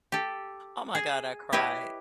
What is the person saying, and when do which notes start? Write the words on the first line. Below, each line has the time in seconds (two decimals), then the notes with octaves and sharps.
oh my god, I cried.
0.12 G4 A4
0.95 G#4
1.53 E4 G4 B4 C#5 D#5